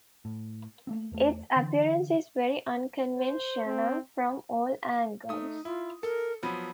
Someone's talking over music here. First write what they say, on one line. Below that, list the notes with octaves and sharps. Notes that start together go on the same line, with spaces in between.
Its appearance is very unconventional from all angles.
A2
A3 A#3 C4
E2 A3
D3 E3
C5
C4
A3 D#4 D#6
E4 F4
A4 A#4
F3 F#3 B3 B5